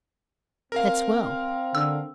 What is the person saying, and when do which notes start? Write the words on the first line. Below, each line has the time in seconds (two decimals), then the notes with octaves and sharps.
"That's well."
0.72 C4 A#4 F5
1.75 D3 E6